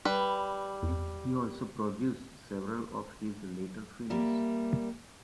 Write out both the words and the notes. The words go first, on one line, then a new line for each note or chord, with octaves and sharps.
He also produced several of his later films.
G3 B4
G3 A#3 E5